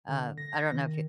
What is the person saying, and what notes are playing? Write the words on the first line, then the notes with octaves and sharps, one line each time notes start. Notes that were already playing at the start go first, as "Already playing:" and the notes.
Uh, I don't know if you
D3
A#6
D#3